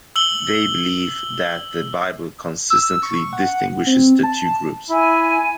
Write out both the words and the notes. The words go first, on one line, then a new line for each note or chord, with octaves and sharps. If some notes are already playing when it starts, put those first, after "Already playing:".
They believe that the Bible consistently distinguishes the two groups.
E6 F#7 G7
E6
C#6
F#5
C4
A5
E4 G#5